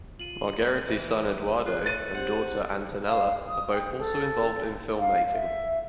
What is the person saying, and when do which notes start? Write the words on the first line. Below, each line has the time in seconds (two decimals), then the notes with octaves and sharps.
Margheriti's son Edoardo and daughter Antonella are both also involved in filmmaking.
0.20 F4 D#7 F#7
0.64 G3
0.88 E3
1.66 F4 B4 F#6
1.86 A3 C#5 D#5 A6 D#7
2.15 C4 G4 C5 F#5
3.06 F5
3.48 D#6
3.72 G5
3.98 A4
4.98 F5
5.32 E5